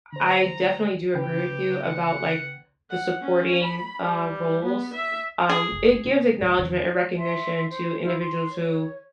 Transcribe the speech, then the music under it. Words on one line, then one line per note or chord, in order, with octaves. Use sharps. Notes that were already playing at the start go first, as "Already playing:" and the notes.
I definitely do agree with you about, like, the supporting, uh, roles. Um, it gives acknowledgement and recognition to individuals who
D3 C5 A#5
C#3 G4 B4 G5
F#5
F#5
C#4
B5
G3
B3
E5
G#4
F1 C2
C3 B3 C4
C#2 G#2
E2 C3 D#3
E5 C6
C5
E4 F4 C5
C6
C#5